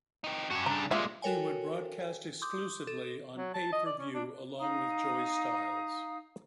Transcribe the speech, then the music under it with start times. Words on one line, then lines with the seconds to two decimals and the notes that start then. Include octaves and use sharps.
He would broadcast exclusively on pay-per-view along with Joey Styles.
0.24 C4 D#4
0.51 G2 C#4 F#4
0.66 C#3 D4 A#5
0.91 A#2 G3 G#3 F4 E5
1.22 F#4 A4 A#4 C#5 G5 G#5
2.42 C6 D6 D#6 G6
2.87 A4
3.37 F#3
3.54 A5
3.73 D#5
3.86 D5
3.99 C#4
4.14 D4
4.59 D#4 F5 A#5 D#6